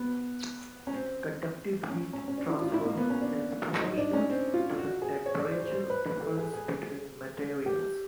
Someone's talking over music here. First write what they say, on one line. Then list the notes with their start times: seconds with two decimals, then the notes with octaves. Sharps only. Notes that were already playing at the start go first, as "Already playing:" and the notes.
Conductive heat transfer is proportional to the temperature difference between materials.
Already playing: B3
0.87 C#4
0.93 C4
1.90 C#4
2.13 C#4
2.28 C#4
2.38 D4
2.49 E4
2.61 F4
2.73 E4
2.85 A#3
2.97 B3
3.10 C#4
3.21 D4
3.82 D#4
3.98 D4
4.13 C#4
4.30 C4
4.54 F4
4.78 F#4
5.02 G#4
5.26 C#5
5.38 D5
5.50 C5
5.62 C5
5.73 C5
5.90 B4
6.06 B4
6.22 A4
6.38 G#4
6.53 G#4
6.70 G#4
7.66 G4